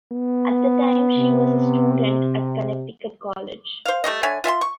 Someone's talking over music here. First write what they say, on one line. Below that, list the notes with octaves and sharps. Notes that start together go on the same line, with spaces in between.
At the time, she was a student at Connecticut College.
B3
C3
C5 F5
G3 A3 C#4 D#5
D3 C#5 E5 G#5
F4 E5 G#5 C6
C#6